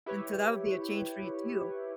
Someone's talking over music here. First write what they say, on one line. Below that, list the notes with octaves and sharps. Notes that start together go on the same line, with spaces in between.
And to that would be a change for you too.
E4 G4 B4 C#5